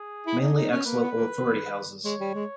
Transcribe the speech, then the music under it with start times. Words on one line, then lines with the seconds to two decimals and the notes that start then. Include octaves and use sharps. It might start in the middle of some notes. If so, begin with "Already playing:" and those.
Mainly ex-local authority houses.
Already playing: G#4
0.26 E4
0.40 D#4
0.56 D#4
0.71 C#4
0.86 A#3 B4
1.00 B3
1.16 A#3
2.05 G#3 C#5
2.20 G3
2.34 G#3